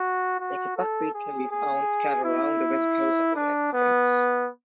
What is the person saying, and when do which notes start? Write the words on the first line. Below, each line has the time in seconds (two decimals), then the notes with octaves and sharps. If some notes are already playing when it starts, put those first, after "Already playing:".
Naked buckwheat can be found scattered around the west coast of the United States.
Already playing: F#4
0.40 F#4
0.77 A4
1.14 G#4
1.51 G#4
2.24 E4
3.36 D4
3.73 B3